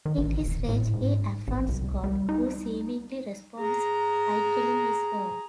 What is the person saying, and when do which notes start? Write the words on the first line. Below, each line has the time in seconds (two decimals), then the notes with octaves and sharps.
In his rage he affronts God who seemingly responds by killing his dog.
0.06 D#3
0.18 A1
0.46 D#1
0.69 A2
0.93 G#2
1.48 A1
1.69 C2
2.04 G3
2.29 D#4
3.60 G#4 A#5